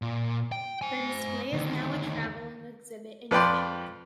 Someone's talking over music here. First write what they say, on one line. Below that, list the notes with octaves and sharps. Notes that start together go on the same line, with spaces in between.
The display is now a traveling exhibit in Canada.
A#2
G5
C5 G#5
D2 D#3
F2 B4 D5 G5 C6